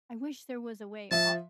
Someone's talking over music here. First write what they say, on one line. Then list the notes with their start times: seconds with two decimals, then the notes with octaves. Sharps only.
I wish there was a way al
1.11 F3 E5 A5